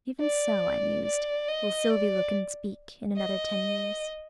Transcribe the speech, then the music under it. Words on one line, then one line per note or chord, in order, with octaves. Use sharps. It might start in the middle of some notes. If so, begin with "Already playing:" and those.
"Even so," I mused, "will Sylvie look and speak, in another ten years."
D5
D5
D#5
D5
D#5